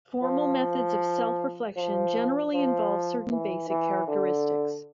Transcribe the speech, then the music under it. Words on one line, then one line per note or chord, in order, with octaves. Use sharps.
Formal methods of self-reflection generally involve certain basic characteristics.
F3
F3
F3
E3
E3
D3